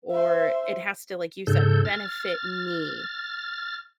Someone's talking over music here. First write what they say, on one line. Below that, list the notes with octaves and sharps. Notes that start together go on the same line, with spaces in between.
or it has to like you said, benefit me.
C5 E5
G#2 C#3 A4 G6
F6 A6